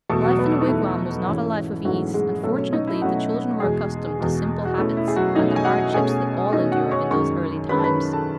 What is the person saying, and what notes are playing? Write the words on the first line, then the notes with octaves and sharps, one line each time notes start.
Life in a wigwam was not a life of ease, and fortunately the children were accustomed to simple habits and the hardships that all endured in those early times.
E2 B2 A3 A4
F#3 F#4
B3 B4
D#4
E2 B2 A3 E4
G#2 E3 A3 C#4
G#2 E3 F#3 A3 C#4 F#4
G#3 G#4
B2 F#3 A3 C#4 A4
C#4 C#5
D#4 D#5
E4 E5
B2 F#3 A3 C#4 F#4 F#5
E2 B2 G#3 G#4
E2 B2 G#3
F#4
B2 A3 C#4 E4
E4
G#4
F#3 F#4
B2 A3 C#4 D#4 D#5
G#5
F#4 F#5
B2 A3 C#4 G#4 G#5
B2 A3 C#4 D#4 D#5
F#4 F#5
C#5 C#6
F#2 D#3 G#3 C#4 C#5 C#6
F#2 D#3 G#3 C#4 B4 B5
A5
B4 B5
A4 A5